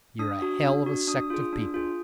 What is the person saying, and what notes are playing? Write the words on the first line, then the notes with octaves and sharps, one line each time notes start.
You're a hell of a sect of people.
D4 D#6
F#4
D4
F#4
D4 D#6
F4 G#4
D4
F4 G#4